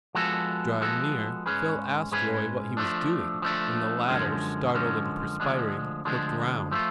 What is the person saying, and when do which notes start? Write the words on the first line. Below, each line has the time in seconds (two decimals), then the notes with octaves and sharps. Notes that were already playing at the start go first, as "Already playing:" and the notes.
Drawing near, Phil asked Roy what he was doing, and the latter, startled and perspiring, looked round.
0.15 F3 G#3 B3 F#4 A4
0.81 F3 G#3 B3 F#4 A4
1.46 G#2 G#3 C#4 G#4 B4
2.12 G#2 G#3 C#4 G#4 B4
2.77 F3 A3 D4
3.42 F3 A3 D4
4.08 F#2 D3 F3 G#3 C#4
4.74 F#2 D3 F3 G#3 C#4
5.40 D2 D3 F3 G#3 D4
6.05 D2 D3 F3 G#3 D4
6.71 F3 A3 F4